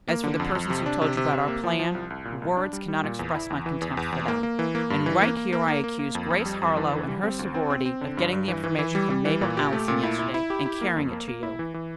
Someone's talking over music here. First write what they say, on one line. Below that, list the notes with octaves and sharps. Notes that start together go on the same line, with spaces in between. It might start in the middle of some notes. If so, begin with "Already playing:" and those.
As for the persons who told you about our plan, words cannot express my contempt for them, and right here I accuse Grace Harlowe and her sorority of getting the information from Mabel Allison yesterday and carrying it to you.
A#3
D3
F2
F2
C3
D4
C3
C3
C3
A#3
F3
F3
C2
C2
A#2
C2
D4
G3
G3
A#2
E2
E4
E2
E3
E2
E2
E2
A#3
A#3
E3
A#3
G2
E3
A#3
A#3
A#3
A#3
A#3
A#3
F2
F2
G3
F2
E3
D3
G3
C4
D2
C4
C4
C4
D3
G2
G2
E3
E3
E3
G3
G3
E3
A#2
G4
A3
A#2
E4
E4
E4
G4
E4
A#3
F2
A#3
A#3
E4
E3
E3